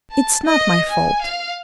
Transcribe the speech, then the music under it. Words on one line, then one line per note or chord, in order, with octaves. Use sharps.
It's not my fault.
A5
D#5
G#5
F5